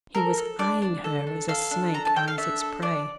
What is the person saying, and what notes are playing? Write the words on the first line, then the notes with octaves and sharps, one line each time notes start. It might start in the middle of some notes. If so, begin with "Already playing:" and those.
He was eying her as a snake eyes its prey.
A4 A#4
A4
D4 D5
D4
A4
D4
A4 F5
D4
A4 A#5
A5
A4 G5
F5
D4 E5
A4
D4 D5